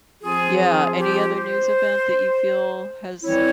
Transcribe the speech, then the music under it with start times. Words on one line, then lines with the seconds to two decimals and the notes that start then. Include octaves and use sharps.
yeah, any other news event that you feel has
0.22 F3 C4 F4 G#4
0.60 G#4
0.97 G4
1.35 C5
3.23 E3 G3 C4 E4 C#5